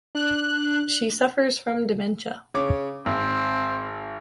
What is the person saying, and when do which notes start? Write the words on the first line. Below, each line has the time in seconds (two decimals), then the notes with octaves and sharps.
She suffers from dementia.
0.15 D4 F#6
2.54 C#3 C#5 D6
3.06 G#1 C4